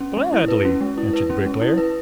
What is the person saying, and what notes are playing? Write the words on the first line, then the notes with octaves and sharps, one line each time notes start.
"Gladly," answered the Bricklayer.
C#4
G#3
E4
B4
C#4
G#3
E4
B4
C#4
G#3
E4
B4